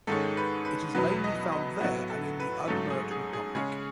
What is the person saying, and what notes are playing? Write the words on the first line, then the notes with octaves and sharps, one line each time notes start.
It is mainly found there and in the Udmurt Republic.
G#2 D#3 G#3 C#4 A4
B4
B4
E2 B2 F#3 B3 B4
D#5
D#5
A2 F#3 B3 F#4
A4
B4
G#2 F#3 A3 C#4 A4
G#4
G#4
G#4
C#3 G#3 C#4 G#4